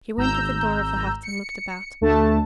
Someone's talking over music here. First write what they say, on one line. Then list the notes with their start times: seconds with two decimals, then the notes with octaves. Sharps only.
She went to the door of the hut and looked about.
0.17 G#1 A#5 E6 G6
1.23 C#7
2.01 D2 A3 D4 A5